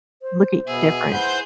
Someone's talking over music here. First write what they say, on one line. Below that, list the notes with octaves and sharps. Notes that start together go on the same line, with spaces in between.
look at y different.
C5
B2 B3 G#4 E5
E4 B4 C5 F#5 G6